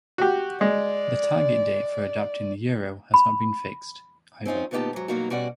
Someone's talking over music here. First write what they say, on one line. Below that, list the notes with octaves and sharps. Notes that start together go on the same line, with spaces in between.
The target date for adapting the Euro has not been fixed, either.
F#4 G4
G#3 D5
B5
C4 C#4 D#4 F4
D2 A#2 B3 D#4 G4 A5
G#2 F#3
G2 B2 F#3 A#3 D#4 F#4
B2 G3 C#4 F#4 D5 F#5